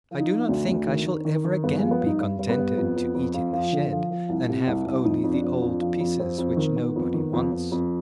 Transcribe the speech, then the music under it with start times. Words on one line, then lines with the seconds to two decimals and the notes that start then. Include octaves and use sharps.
I do not think I shall ever again be contented to eat in the shed, and have only the old pieces which nobody wants.
0.11 F3
0.20 D#4
0.30 F3
0.49 D2 D4
0.68 D2
0.86 D#3
1.06 D#3
1.25 D#3
1.45 D#3
1.63 G2 B3
1.78 F3 G#3
1.91 B3
2.01 G2
2.06 D#4
2.20 G2
2.39 G2
2.49 B3
2.58 G2
2.77 F2
2.96 F2
3.15 F2
3.34 F2 F4
3.53 F3
3.72 D3
3.92 F3
4.11 F3
4.29 C2
4.49 C3
4.67 C2
4.86 C2
5.05 F2 D#4
5.24 F2
5.33 D4
5.44 F2
5.62 F2
5.81 F3
6.00 F2
6.20 F2 C4
6.38 F2
6.57 D#3
6.76 D#3 B3
6.96 F2
7.14 D#3
7.33 F2
7.52 F2
7.72 F2